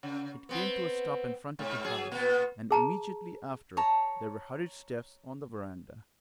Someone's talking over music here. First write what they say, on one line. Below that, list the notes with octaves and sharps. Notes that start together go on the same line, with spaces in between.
It came to a stop in front of the house, and immediately after there were hurried steps on the veranda.
C#3
B3 C4
G#2
F#3 G#4
A#2 B3
G#4 A5 A#5
C#5 A5 A#5